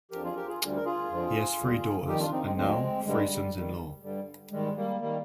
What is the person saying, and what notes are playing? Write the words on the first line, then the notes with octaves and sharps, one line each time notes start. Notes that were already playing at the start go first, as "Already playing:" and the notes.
He has three daughters and now three sons-in-law.
F2 D3 F3 G4 A#4
F4 G#4
G4 A#4
F4 G#4
D2 D3 G3
A#4
F4 G#4
F2 D3 F3
D#2 D3 G3
F2 D#3 G3 D#4 G4
D4 F4
C4 D#4
G#3 C4
D2 D3 F3 G#3 C4
G2 D3 G3 G#3
G3
G#2 D#3 G3
G2 D3 G3
G#2 D#3 G3 G#3
G3 A#3
D#3 G3 A#3